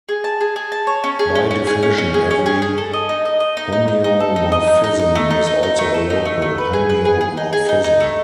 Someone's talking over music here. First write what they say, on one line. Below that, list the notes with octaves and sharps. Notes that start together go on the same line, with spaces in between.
By definition, every homeomorphism is also a local homeomorphism.
G#4
A5
G#4
G#4
A5
C#5
C#4
G#4
C#4
C#4
G#4
C#4
C#4
G#4
C#4
G#4
G#4
A4
D#5
D#4
D#5
D#5
D#4
D#4
D#4
D#4
A4
D#4
D#5
D#4
D#4
D#4
A3
D#4
D#4
D#4
A3
A4
D#4
A3
A3
B4
G#4
B4
G#4
G#4
D#4
G#4
D#4
D#4
A3